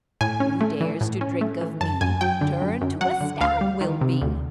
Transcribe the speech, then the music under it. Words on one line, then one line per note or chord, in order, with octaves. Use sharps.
"Who dares to drink of me, Turned to a stag will be."
A2 G#5
C#4
A3
E3
A2
C#4
A3
E3
F#2 A5
F#2 G#5
F#3 G5
D3
F#2
F#2
F#3 F#5
D3
D2 F5
G3
D#3
C3
D2